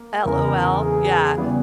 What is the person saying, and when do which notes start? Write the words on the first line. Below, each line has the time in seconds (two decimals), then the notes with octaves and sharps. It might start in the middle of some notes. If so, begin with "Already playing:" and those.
LOL, yeah.
Already playing: A#3
0.25 E2 C#3 E3 A#4
0.82 G#4
1.37 C#3 E3 G3 B3